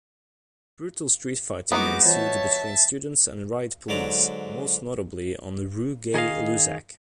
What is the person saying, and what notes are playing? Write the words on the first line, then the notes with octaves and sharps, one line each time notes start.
Brutal street fighting ensued between students and riot police, most notably on Rue Gay-Lussac.
G3 G#3 A#3 B3 D#4 E4 F#4 D6
E3 F4 C5 C#5 E5 A5
G#2 D3 F#3 D5 A#5
D#3 G#4 A4 D#5 F5